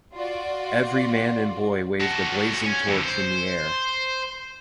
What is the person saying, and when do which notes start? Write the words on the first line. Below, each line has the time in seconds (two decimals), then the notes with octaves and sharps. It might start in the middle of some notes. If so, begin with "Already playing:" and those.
Every man and boy waved a blazing torch in the air.
0.14 F4 F#4 D5
2.00 F#4 A4
2.65 C#5 G#5
2.87 F2 D3
3.03 C5